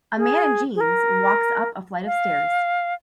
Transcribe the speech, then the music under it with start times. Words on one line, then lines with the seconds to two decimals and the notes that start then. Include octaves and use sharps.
A man in jeans walks up a flight of stairs.
0.18 G#4
0.76 G#4
0.81 A#4
2.06 F5